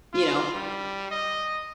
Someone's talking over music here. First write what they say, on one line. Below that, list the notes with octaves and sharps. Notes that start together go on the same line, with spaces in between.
you know
F4
G3
D#5